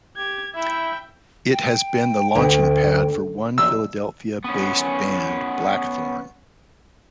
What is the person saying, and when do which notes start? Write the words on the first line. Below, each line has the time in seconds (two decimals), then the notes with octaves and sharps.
It has been the launching pad for one Philadelphia based band Blackthorne.
0.17 G4 G#6
0.55 E4 E5 G5
1.53 G5
2.35 D2
3.58 E6
4.44 B3 C#4